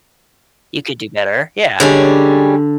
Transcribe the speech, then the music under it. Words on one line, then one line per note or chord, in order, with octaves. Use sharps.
"You could do better." Yeah.
D3 G3 G#3 C#4